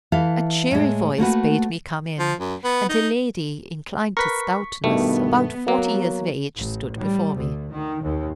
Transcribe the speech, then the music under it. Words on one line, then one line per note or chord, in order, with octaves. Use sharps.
A cheery voice bade me come in, and a lady, inclined to stoutness, about forty years of age, stood before me.
E3 E4 A4 F5
A2 G#3
A3 A#3 F#4 B4
F3
F#2
B3
D#4
A#4 B4 C#6 B6
G2 B2 D#3 A3 B3
F#3 A#3
A1
G3
D2
D#3
D#2